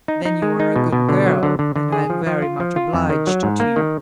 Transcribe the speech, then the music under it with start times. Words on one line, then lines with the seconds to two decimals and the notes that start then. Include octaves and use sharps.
"Then you are a good girl, and I am very much obliged to you."
0.08 D#4
0.25 D#4
0.42 G#3
0.60 D#4
0.76 B2
0.93 B2
1.09 D3
1.26 F#3
1.43 D3
1.59 D3
1.76 D3
1.93 G#4
2.10 F3
2.27 F3
2.42 F4
2.60 F3
2.76 F4
2.94 F2
3.10 D#3
3.27 F#3
3.43 G#2
3.60 A#3
3.76 D#3